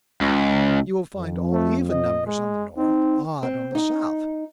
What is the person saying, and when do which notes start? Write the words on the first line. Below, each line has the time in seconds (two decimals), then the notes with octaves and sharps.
You will find all even numbers on the north, odd on the south.
0.21 C#2
1.16 F2
1.53 A3
1.90 D#5
2.26 G#3
2.77 C4 D#4
3.43 C4
3.75 D#4